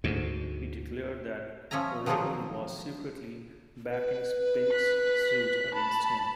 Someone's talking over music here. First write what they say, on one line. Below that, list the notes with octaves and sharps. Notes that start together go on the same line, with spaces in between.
He declared that O'Regan was secretly backing Spink's suit against him.
D2 G#2
F3 C#4 E5 G#5 A#5
D#3 F3 F#3 G#3 D4 D#4
B4
F#6 B6
A5 B5